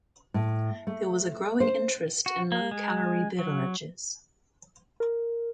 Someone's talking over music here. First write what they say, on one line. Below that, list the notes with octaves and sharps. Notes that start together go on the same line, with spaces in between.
There was a growing interest in low-calorie beverages.
A2
A3
C5
F#4
A#3
G#3
F#3
A#4